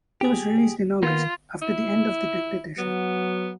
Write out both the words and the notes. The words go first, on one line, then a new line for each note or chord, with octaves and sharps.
He was released in August, after the end of the dictatorship.
G4 G#4
D#3 A#3 B3 F4
E4
F#3 B3